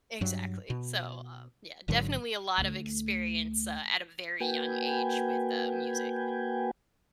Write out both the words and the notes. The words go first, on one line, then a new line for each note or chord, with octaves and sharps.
Exactly. So, um, yeah, definitely a lot of experience, uh, at a very young age with, uh, music.
G2 F#3
B2
G#1 G#2 D3 F#3
D2 A3
A#3 F#4 B4 G5 G#5